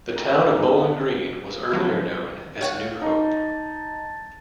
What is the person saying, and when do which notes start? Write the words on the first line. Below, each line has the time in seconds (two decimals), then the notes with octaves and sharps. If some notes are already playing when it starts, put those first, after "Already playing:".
The town of Bowling Green was earlier known as New Hope.
0.15 A#3
0.30 B4
0.45 G#2
0.57 D#4
0.77 B3
1.72 C#3 F3 F#3 E4
2.03 C2
2.61 C#5 F5 F#5 A6
3.02 D#4 A5